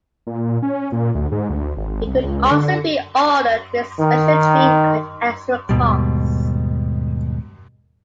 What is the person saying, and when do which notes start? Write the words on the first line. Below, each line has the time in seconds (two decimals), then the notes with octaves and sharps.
It could also be ordered with special trim at extra cost.
0.27 A#2
0.62 C#4
0.92 A#2
1.15 D2
1.32 G#2
1.49 D2
1.77 G#1
2.07 C2
2.23 C#2
2.51 D3
4.00 D#3
5.69 D#2 G#2 B2 G3